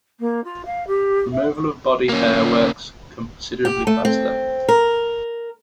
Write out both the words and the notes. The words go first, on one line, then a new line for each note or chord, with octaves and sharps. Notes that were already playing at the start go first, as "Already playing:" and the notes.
Removal of body hair works considerably faster.
A#3
F4
F5
G4
E5
A#3 C#4
G4
A3
C4
A#4